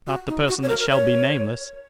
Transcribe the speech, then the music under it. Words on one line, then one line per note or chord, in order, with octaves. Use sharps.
Not the person that shall be nameless.
F#4
D#4
F#4
C#5
A#4
A#4
C#5